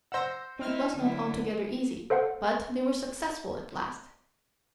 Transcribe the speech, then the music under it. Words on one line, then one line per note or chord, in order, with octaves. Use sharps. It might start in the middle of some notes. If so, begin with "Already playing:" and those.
It was not altogether easy, but they were successful at last.
C5 F#5 E6 A#6
C4 D#4 E4 F6
D3 F#3 E4
A4 C5 F5 F#5